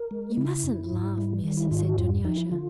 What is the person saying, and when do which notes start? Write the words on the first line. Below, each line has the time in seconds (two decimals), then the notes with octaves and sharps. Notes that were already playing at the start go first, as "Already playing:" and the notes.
"You mustn't laugh, Miss," said Dunyasha.
Already playing: A#4
0.11 G#3
0.37 C#3 E4
0.64 F#2
0.91 G#2
1.18 G3
1.44 D#3
1.57 E4
1.71 G#2 F4
1.84 F#4
1.98 F2 F4
2.24 F3 D#4
2.37 E4
2.51 D3 F4